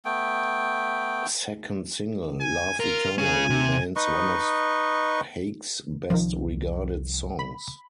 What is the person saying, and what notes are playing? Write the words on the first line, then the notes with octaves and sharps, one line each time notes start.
Second single "Love Eternal" remains one of Haig's best regarded songs.
A3 B3 G5
G#5
F4 A#4
C#4 G#4 G#5
C3
D#4 B4 D#5 C#6
C2 D#3 F3
B5